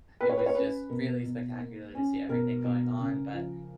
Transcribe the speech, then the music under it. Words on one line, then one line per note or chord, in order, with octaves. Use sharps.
it was just really spectacular to see everything going on, but.
A#3 B4
C#5
B4
C#5
C#4 B4
B2 A#4
B2
A#3
C#4
B2 A#4
B2
C#3
F3